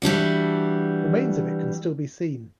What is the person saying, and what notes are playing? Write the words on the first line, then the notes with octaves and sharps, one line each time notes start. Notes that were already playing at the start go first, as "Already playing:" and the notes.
Remains of it can still be seen.
E3 G3 D4 F#4